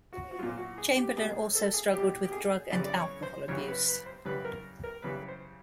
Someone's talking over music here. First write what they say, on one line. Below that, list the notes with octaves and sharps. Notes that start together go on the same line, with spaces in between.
Chamberlain also struggled with drug and alcohol abuse.
F#4
F#4
A#2 F#3 F4
F#4
G#4
G4
B2 G3 G#4
A4
G#4
B2 G3 G4
G4
G#4
F#2 C#3 E3 G3 D5
D5
C#5
C5
F#2 C#3 E3 G3 C#5
B4
B4
C5
F#2 C#3 E3 G3 B4
A#4
A#4
F#2 C#3 E3 G3 B4
C5